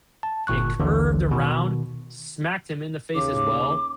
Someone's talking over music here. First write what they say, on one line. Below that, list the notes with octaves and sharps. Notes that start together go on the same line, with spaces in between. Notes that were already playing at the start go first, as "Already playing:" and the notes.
it curved around, smacked him in the face as well,
A5
G1 A#2 C#6 F#6
A#1 D#2 D3 E3
B2 D#3
D#2 C#3 D6